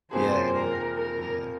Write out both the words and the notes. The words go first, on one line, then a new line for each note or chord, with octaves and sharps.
Yeah, I know. Yeah.
F2 C3 F3 A#3 G#4 C5
A#4
A#4